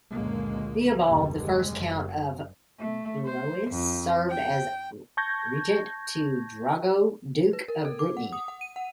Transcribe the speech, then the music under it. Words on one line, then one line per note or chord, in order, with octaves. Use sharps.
Theobald the First, Count of Blois served as Regent to Drogo, Duke of Brittany.
C#2 F#2 A#2 D3 G#3 A#3
F#1 D#2 B2 D3 G3
F#1 G3 G#3
F#1 F#2
A3
C5
F2
G5
A5 C#6 G6 G#6 A#6
B4
A#4
A4
D6
F#5
D#6
F#5
D#7
F#5